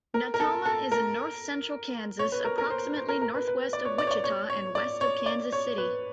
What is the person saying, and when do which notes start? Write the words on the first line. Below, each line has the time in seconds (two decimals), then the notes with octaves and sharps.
Natoma is in north-central Kansas approximately northwest of Wichita and west of Kansas City.
0.14 A#4
0.34 A#4
0.40 A4
0.65 A4
0.92 A#4
2.19 C#5
2.32 B4
2.44 A#4
2.58 A#4
2.70 C5
2.96 C5
3.09 A#4
3.22 A#4
3.34 B4
3.48 B4
3.73 D5
3.85 C#5
3.98 D5
4.07 C#5
4.11 D5
4.24 C#5
4.50 C#5
4.75 D5
5.01 C#5
5.26 D5
5.52 C#5
5.78 B4